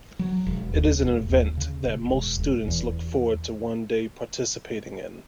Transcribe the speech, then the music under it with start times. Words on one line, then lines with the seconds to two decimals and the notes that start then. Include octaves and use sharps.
It is an event that most students look forward to one day participating in.
0.19 F#3
0.47 E1
0.75 D#2
1.02 E1
1.29 D#2
1.57 C#3
1.85 E1
2.12 E1
2.40 E1
2.68 E2